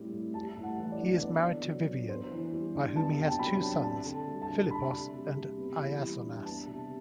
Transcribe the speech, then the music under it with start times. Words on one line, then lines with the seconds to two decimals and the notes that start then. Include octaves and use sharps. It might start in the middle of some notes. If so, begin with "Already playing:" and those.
He is married to Vivian, by whom he has two sons, Filippos and Iasonas.
Already playing: A2 G3 C4
0.12 A2
0.34 G3 A5
0.56 A2
0.63 F#5
0.78 E3
0.92 D5
1.00 D4
1.22 B3 D5
1.43 D3
1.65 F#3
1.88 D4
2.09 B3 C5
2.31 E3
2.53 G3
2.74 D4
2.96 B3 A5
3.18 C3 G5
3.31 A5
3.39 F#3 B5
3.61 D4
3.83 C4 A5
4.05 D3
4.28 G3
4.42 A5
4.49 D3
4.70 D4 B5
4.92 C3
5.15 G3
5.36 C3
5.58 B3
5.80 E3
6.02 G3
6.23 D4
6.45 B3 A5
6.67 C3